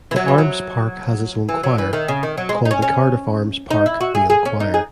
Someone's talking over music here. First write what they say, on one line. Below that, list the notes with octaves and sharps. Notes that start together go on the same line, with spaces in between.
The Arms Park has its own choir, called the Cardiff Arms Park Male Choir.
E3
F#3
E3
F#3
E3
F#3
E3
D#3
C#3
D#3
F#3
G#3
D#4
C#4
C#4
D#4
E4
F#4
G#4
G#4
C#4
D#4
G#4